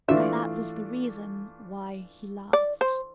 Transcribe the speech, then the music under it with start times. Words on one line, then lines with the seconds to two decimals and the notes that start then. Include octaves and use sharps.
And that was the reason why he laughed.
0.08 E3 A3 D4 F4 E5
2.53 D5
2.81 C5